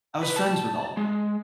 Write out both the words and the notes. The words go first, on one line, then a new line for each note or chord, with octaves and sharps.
I was friends with all of 'em,
B4
A5
G#3